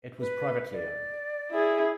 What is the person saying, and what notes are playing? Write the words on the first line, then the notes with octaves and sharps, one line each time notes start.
It was privately owned.
B4
D5
E4 G#4